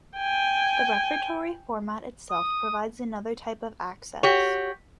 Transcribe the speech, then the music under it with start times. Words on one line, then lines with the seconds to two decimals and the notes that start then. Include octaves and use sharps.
The repertory format itself provides another type of access.
0.17 G5 G#5
2.30 D#6
4.23 F#4 G4 C#5